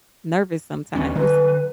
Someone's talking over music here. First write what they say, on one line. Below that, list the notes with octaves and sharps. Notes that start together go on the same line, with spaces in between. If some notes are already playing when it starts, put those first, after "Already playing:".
nervous sometimes.
D#2 B3 C#4
D3 F#3 B4